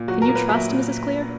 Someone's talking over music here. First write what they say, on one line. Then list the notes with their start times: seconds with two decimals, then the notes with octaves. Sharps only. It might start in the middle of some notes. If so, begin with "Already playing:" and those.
"Can you trust Mrs. Clear?"
Already playing: A#2
0.08 F#3 F#4
0.22 A#4
0.29 A#2
0.35 B4
0.49 F#3 E5
0.70 A#2